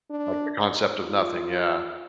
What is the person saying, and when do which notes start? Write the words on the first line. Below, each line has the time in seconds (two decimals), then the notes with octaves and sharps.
Like, the concept of nothing, yeah.
0.11 D4
1.03 F4